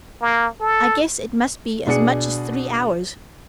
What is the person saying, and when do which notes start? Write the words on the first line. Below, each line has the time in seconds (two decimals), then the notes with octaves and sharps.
I guess it must be as much as three hours.
0.22 A#3
0.60 A4
1.87 B2 D4 G#4 C#7